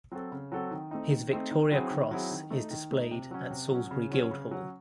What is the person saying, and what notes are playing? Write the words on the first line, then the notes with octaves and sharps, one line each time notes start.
His Victoria Cross is displayed at Salisbury Guild Hall.
F#3 C4 F#4 A4
C#3
F#3 C4 F#4 A4
D#3
A3 C4 D#4
D#3
A3 C4 D#4
D#3
F#3 C4 E4 G#4
D#3
F#3 C4 E4 G#4
D#3
A3 D#4
D#3
A3 D#4
C3
F#3 C#4
C3
F#3 C#4
C#3
F#3 C#4
C#3
F#3 C#4